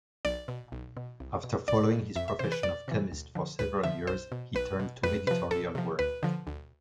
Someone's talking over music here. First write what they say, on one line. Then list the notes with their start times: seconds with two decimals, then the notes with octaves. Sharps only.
After following his profession of chemist for several years, he turned to editorial work.
0.25 B1 D5
0.48 B2
0.72 B1
0.97 B2
1.20 C2
1.44 B2
1.68 C2 D5
1.92 B2
2.16 F2 E5
2.28 E5
2.39 C3 E3 C5
2.52 B4
2.63 F2 D5
2.88 C3 E3
3.12 D2
3.35 D3 F3
3.59 D2 B4
3.83 D3 F3 E5
4.07 B1 C5
4.32 B2
4.55 B1 B4
4.79 B2
5.03 F2 B4
5.27 C3 F3 B4
5.51 F2 A4
5.75 C3 F3
5.99 D2 B4
6.23 D3 F3
6.47 D2